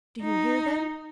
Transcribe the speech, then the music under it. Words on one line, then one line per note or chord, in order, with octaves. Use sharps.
Do you hear them?
D#4